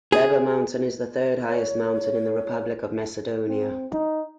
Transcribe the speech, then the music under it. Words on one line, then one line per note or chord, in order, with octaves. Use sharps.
Baba Mountain is the third highest mountain in the Republic of Macedonia.
G#4
C#5
C4
D#4